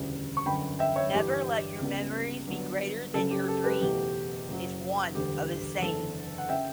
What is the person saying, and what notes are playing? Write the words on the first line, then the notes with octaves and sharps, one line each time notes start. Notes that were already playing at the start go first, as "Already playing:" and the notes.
"Never let your memories be greater than your dreams" is one of his sayings.
Already playing: E1 D2 C#3 E3 G3
C#6
G1 F#2 D3 G5 B5
E5 G5
C#5 E5
G1 G2 E3 G4
C#2 C#3 G3 B3
G1 G2 F#3 B3
F#1 F#2 C#3 F#3 A4
G4
A4
G4 B4
F#1 E2 B2 F#3 A3 G4
F#1 F#2 C#3 F#3
E1 D2 D3 G3 G4
F#1 E2 D3 A4
F#5
C#3 E5 G5